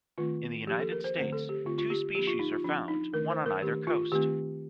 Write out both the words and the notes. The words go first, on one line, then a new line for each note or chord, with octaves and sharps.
In the United States, two species are found, one on either coast.
D#3 A3 C4 F4
F3 A#3 D4 G4
A4
A#4
C5
D3 A3 C4 C5
A4
G4
D3 A3 C4 F4
F4
G4
F3 A#3 D4 G4
F4
D#4
F4
F3 C4 D4
D#4
D#3 A3 D4 A#4
C5
A#4
D#3 A3 D4 G4
F4
D#3 A3 C4 G4